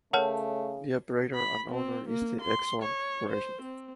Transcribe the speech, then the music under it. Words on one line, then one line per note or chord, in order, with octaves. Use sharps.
The Operator and Owner is the Exelon Corporation.
C#3 A3 A#4 C#5 F#5 A5 F6
B5
C4
A#3
C6
C#5
C5
C4